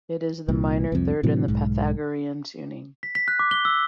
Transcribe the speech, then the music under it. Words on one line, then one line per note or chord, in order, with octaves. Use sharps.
It is the minor third in Pythagorean tuning.
C2 A#2
C2 F2
A2 C3 E3 F#3
B1 G#2
B6
B6
F#6
D6
G7
E6